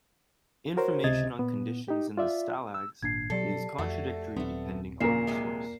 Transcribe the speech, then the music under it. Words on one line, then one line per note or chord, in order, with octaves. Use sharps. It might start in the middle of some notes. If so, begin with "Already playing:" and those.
Information on conditions in the stalags is contradictory depending on the source.
F#4 A#4 C5 C#5
C#2 C3 D#5 G#6 A6
A#2 B3
D#4 G4
F4 D5 E5
E6
G#1 A#2 D4 G#6 C7
B2 F#3 G4 A4 D5 C7
F2 A3 F#4
D#1 F#3 A3 B3 C4
A#2 C#3 A#4 C7 E7
F2 C3 G#3